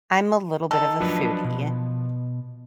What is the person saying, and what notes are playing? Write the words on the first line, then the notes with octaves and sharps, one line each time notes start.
I'm a little bit of a foodie,
D#3 A4
F3 F#3 D4 B4
B2